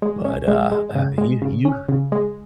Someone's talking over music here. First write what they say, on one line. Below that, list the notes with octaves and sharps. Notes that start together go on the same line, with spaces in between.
but, uh, uh, you you
G#3
C#4
G#3
G#3
C#3
G#3
C#3
C#4
C#3
G#3